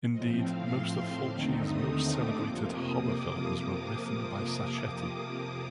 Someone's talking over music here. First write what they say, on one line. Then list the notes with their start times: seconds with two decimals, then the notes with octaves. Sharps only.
Indeed, most of Fulci's most celebrated horror films were written by Sacchetti.
0.11 A2 F3 C4 D#5
0.40 F5
0.67 C6
1.24 D#2 D3 A3 C4 D#4 D6
1.54 D#6
1.81 D#6
2.09 D6
2.38 F2 C3 F3 A#3 D6
2.66 D#6
2.95 D6